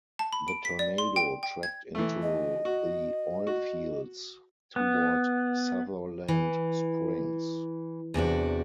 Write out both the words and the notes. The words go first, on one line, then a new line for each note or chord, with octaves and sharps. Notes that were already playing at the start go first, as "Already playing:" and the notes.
The tornado tracked into the oil fields toward Sutherland Springs.
A5
B5
D7
B6
D5
C6
G5
G5
G#6
E3 A3
D#5
F#4
F#4
B3
E3
E2 C3 D4 F#4